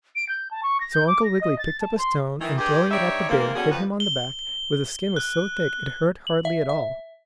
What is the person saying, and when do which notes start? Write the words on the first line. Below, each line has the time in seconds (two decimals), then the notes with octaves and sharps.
So Uncle Wiggily picked up a stone, and throwing it at the bear, hit him on the back, where the skin was so thick it hurt hardly at all.
0.16 D7
0.29 G6
0.51 A5
0.63 C#6
0.80 A#6
0.93 G6
1.07 D6
1.24 A#6
1.41 D#5
1.58 A6
1.81 A5
1.98 C6
2.41 D#3 E3
2.58 G2 G4 G#4
2.91 G2 G3 D#4 C#5 D5 E5
3.28 G#2 C3 E3 A#3
3.55 B2 D3 G3 C#4 F#4 G#4
3.71 F2 B4
4.00 G7
5.16 F#6
6.27 F#7
6.45 E5
6.69 E5